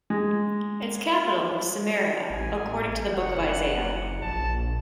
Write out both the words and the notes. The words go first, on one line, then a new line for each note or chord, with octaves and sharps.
Its capital was Samaria according to the Book of Isaiah.
G#3
A1 G#5
F#1 F#5
A#1 A5